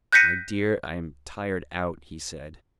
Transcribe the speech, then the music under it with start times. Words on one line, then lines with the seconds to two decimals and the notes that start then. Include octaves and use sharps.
"My dear, I am tired out," he said.
0.12 F#6 G6 A#6 B6 C#7 D#7